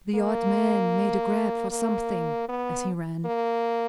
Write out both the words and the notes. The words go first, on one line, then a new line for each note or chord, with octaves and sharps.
The odd man made a grab for something as he ran.
A#3
A#3
B3
A#3